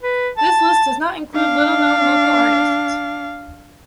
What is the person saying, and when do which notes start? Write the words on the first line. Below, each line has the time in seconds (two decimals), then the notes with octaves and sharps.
This list does not include little-known local artists.
0.03 B4
0.38 A5
1.35 D4 F5